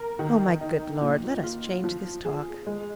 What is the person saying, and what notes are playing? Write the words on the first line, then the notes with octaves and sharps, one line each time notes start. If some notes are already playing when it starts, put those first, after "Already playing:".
Oh, my good Lord! let us change this talk....'
Already playing: A#4
D#3
D#4
A#2
F4
F3
G#4
G#3